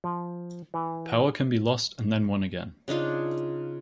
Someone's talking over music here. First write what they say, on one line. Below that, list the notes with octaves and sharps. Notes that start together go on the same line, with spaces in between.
Power can be lost and then won again.
F3
E3
C#3 D4 D#4 F4